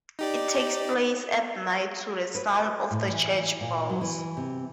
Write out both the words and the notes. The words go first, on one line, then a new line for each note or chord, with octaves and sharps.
It takes place at night to the sound of the church bells.
D#4 G4 D5
B4
A2
E3
A#2
F#3
E3
C3